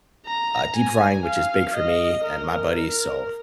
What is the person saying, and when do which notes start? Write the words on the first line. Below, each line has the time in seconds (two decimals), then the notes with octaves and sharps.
uh, deep frying, which is big for me and my buddies, so
0.27 A#5
0.76 G#5
1.25 F5
1.75 D#5
2.24 A#4
2.73 A#4